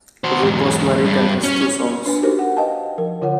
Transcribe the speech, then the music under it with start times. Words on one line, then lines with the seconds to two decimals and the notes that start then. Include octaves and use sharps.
Roop was married and has two sons.
0.24 F#4 C5
0.42 E2 G#2
1.05 G2
1.43 C#4
2.06 D4 B4 G#5
2.22 D#4 F#4 G4 A#4 C5
2.39 F#5
2.57 B4 D#5 F5 G5 A5
2.98 F3 A#4
3.22 D3 F4 A#4 C#5 F#5